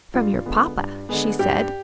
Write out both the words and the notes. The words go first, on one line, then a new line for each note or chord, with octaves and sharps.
"From your papa," she said.
G2 F4
D3 G#3 B3
G2
D3 G#3 B3
G2 G4